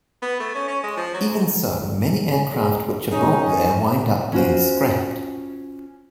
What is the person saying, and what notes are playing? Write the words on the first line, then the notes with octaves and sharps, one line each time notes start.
Even so, many aircraft which are brought there wind up being scrapped.
B3
A3
C#4
C#4
G#3
F3
F#3
G#2
G#4
G#3 C#4 D#4 G#4
C#4 F4 F#4 C5